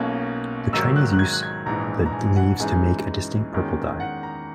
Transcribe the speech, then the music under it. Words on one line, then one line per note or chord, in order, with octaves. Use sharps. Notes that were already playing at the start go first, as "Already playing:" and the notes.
The Chinese use the leaves to make a distinctive purple dye.
Already playing: B1 B2 A#3 C#4
G#2 D#3 F#3 E6
F#6
F#6
G#6
F#6
G#6
A#1 G#2 E3 A#5
A#5
G#5
F#5
F#2 E3 G#3 D#4 G#5
E2 D#3 G#3 C#4
F#5
A#5